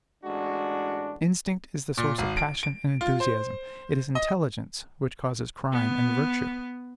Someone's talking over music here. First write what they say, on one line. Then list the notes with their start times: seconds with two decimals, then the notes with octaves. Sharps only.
Instinct is the source of passion and enthusiasm; it is intelligence which causes crime and virtue.
0.24 A1 G#3 D4 F#4
1.97 A#2
2.18 G#1
2.37 D7
2.63 D7
3.01 F4
3.20 C5
4.15 D#5
5.72 B3